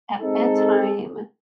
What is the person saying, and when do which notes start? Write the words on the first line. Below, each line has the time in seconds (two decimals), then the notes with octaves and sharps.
at bedtime,
0.21 G#3 C4 D#4 A4